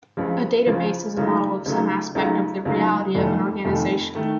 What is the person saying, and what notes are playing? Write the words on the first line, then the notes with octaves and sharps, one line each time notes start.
A database is a model of some aspect of the reality of an organisation.
C#2 C#3 F3
C#2 C#3 F3
C#2 C#3 F#3 A3 D#4
C#2 C#3 F#3 A3 D#4
C#2 C#3 F#3 A3 D#4
C#2 C#3 F#3 A3 D#4
F1 F2 D#3 A3
F1 F2 D#3 A3
D#3 A3